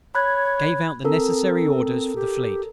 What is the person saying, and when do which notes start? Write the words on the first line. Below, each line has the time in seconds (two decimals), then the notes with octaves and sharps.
Gave out the necessary orders for the Fleet.
0.15 C#5 B5 F#6 G#6
1.05 C4 A4 A#4
2.16 G4